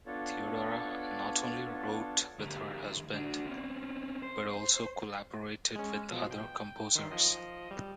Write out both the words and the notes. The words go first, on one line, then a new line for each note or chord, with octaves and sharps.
Theodora not only wrote with her husband, but also collaborated with other composers.
B3 D4 F4 A4 C#5 A5
D2 G4
D4 F#4
C4 C#4
C5
G#3 C#4
B2 F3
G5
D#3 C6 B6
F3 D#5
G3